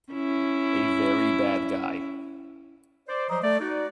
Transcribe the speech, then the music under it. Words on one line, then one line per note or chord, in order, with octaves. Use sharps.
A very bad guy.
C#4 E4
C5 D5
F3 F#3 C5 D5 D#5 A#5
A3 A4 D5
D#4 F#4 D5